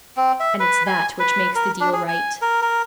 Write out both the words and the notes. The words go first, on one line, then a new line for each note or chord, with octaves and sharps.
And it's that which makes the deal right.
C4
E5
B4
G#5
B4
A#4
D4
G#4
G#5
A#4
A#4